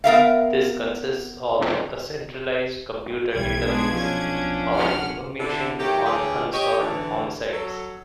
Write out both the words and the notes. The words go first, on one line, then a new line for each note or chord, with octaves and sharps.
This consists of a centralized computer database of information on unsolved homicides.
B3 A#4 E5 F5
B1 E3 G3 G#6
G#3 B3 D4
F3 C#4 D4
F#5 F6
D3 E4
D#3 F#3 A3 G4
D2 D3 E3 G4 G#4 C#5
G4 C#5 D#5
D3 E3
F#3 A4